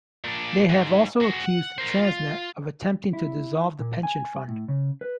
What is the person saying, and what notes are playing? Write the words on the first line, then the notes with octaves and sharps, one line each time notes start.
They have also accused Transnet of attempting to dissolve the pension fund.
A#2 D4
G#2
F#4 G#4
F#5
A#4 C5
F4
E4
A#2
G#5
A2
C#3
B4